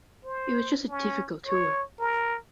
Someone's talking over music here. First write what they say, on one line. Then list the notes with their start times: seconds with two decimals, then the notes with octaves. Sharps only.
It was just a difficult tour.
0.25 C5
0.89 C#4
1.46 C#5
1.99 A#4